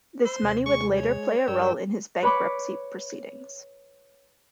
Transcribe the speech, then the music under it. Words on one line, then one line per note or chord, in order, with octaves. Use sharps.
This money would later play a role in his bankruptcy proceedings.
C5 B5 E6
D#2 C3
G#3 C#6
C#5
G2 A#4 D5 G5 E6
B4 C#5 B5 D6